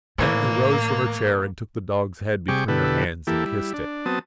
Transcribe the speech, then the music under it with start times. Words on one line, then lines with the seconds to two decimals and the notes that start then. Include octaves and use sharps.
Ethne rose from her chair and took the dog's head between her hands and kissed it.
0.18 G#1 A2 E3 A#3
2.48 C3 G3 G#4 G5 C#6 D6
2.68 B2 D3 E4 G4 A4 B4
3.27 E3 A#3 E4 G4 A4
3.45 G3 E4
3.73 D4
4.06 F#3 B3 C4 A5 D#6